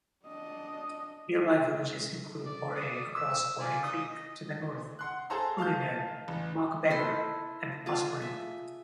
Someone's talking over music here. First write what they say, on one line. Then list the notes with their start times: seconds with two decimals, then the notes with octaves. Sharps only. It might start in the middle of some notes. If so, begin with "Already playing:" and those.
Nearby villages include Oare across Oare Creek to the north, Luddenham, Mockbeggar and Ospringe.
0.25 D4 D#5
2.46 D5
2.75 D5 D#6
3.15 E6
3.60 F4 D5 G#5
3.83 D#4 D#6
4.09 D#5
4.99 F#5 C6 F#6
5.30 G#4 A4 C5 A5 A#5 C6
5.58 F5 A5 F6 G6
6.28 A1
6.90 E4 A4 C5 C6
7.86 F4 G#4 A5
8.22 E5